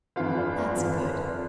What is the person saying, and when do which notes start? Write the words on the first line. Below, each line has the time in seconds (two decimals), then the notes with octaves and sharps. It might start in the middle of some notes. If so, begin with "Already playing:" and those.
That's good.
0.16 G1 F2 E3 F4
0.37 D4
0.57 F4
0.77 G1 F2 E3